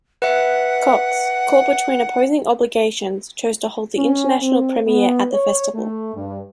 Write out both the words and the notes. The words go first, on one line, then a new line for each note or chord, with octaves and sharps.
Cox, caught between opposing obligations, chose to hold the international premiere at the festival.
B4 E5 F#5
C#4
C4
B3
C#5
A3
G2